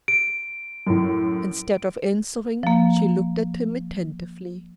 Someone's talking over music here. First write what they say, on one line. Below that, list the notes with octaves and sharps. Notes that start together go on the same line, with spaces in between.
Instead of answering, she looked at him attentively.
D7
F#2 A2
F3 A#3